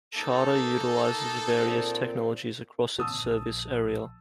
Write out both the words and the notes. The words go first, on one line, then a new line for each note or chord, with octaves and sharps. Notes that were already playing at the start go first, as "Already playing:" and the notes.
Charter utilizes various technologies across its service area.
A#3 D#4 A4
A#2 C4
A#2 D3 C4 A5 D#6 E6
A#1